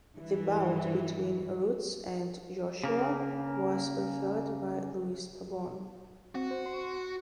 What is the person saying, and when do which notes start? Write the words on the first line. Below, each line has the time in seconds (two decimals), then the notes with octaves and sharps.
The bout between Ruiz and Joshua was refereed by Luis Pabon.
0.14 G2 E3 G3
2.84 C#3 A#3
6.35 C4 F#4
6.51 C5
6.66 C6